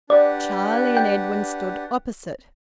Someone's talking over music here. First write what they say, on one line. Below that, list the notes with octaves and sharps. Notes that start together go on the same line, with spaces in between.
Charlie and Edwin stood opposite.
D4 G4 B4 D5 F#5
G5